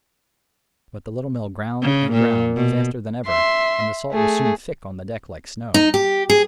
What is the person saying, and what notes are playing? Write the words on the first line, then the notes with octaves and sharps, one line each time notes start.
But the Little Mill ground, and ground, faster than ever, and the salt was soon thick on the deck like snow.
C#3
A#2
B2
E5 C6
A3 G#4
D#4
G4
G#4